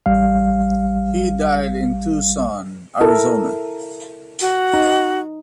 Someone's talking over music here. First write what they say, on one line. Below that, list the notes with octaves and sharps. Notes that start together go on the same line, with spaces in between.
He died in Tucson, Arizona.
A1 G3 F5
E4 A4 A#4
F#4
D#4